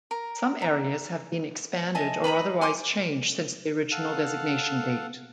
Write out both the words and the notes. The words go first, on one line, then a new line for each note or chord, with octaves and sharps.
Some areas have been expanded or otherwise changed since the original designation date.
A#4
E5 A#5
D#5 E5 G#5 A5
B4 D#5 A#5 B5
G#5 C6 D6
A4 F5 F#5